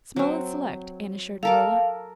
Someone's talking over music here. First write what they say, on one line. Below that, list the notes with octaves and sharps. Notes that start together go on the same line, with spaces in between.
"Small and select," Anne assured Marilla.
F#3 C4
A4 A#4 F5 D6